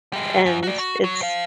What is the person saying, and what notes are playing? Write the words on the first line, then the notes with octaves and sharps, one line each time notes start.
and it's
G3 G#3
F#2
F#4 D5
F#4
F#3
C5 F5